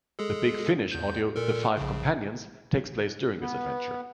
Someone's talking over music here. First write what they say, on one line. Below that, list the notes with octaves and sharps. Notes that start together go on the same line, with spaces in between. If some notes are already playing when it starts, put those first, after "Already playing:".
The Big Finish audio "The Five Companions" takes place during this adventure.
G#3 G#4 A4
E2 G6
A#2 A4 A#4
A#1 C#3
B3